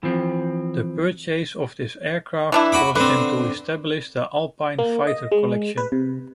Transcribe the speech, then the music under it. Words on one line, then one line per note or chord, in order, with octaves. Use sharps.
The purchase of this aircraft caused him to establish the Alpine Fighter Collection.
E3 F3 C4
E3 D4 E4
F#4 B5 D6
D3 C4 B4
A#3
D#5
G#3
B4
C3